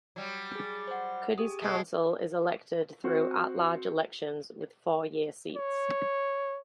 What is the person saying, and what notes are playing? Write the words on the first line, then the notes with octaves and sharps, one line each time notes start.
Cudahy's council is elected through at-large elections with four-year seats.
F#3 G3
G#4 A6
C5 F#5
G4 G#4 D#6
B2 G#3 A3
C4 F#4
C#5